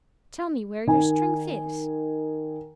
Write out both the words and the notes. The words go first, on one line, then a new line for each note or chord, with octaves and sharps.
Tell me where your strength is.
D#3 G#5